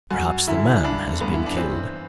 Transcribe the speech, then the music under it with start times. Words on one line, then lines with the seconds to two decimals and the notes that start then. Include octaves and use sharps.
Perhaps the man has been killed.
0.10 F#2 F#4
0.48 D3 E4
0.84 G2 D4
1.21 G2 B3
1.34 E4
1.46 D4
1.57 E3 C4